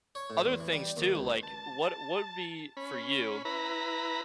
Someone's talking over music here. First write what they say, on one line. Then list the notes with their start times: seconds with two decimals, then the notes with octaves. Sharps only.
other things, too, like, what what'd be, for you
0.15 C#5
0.30 A2
0.45 E2
0.60 E3
0.73 G3
0.97 D#2
1.15 C#2
1.43 A5
2.77 C#4 B5
3.45 E4 B4 A#5 B5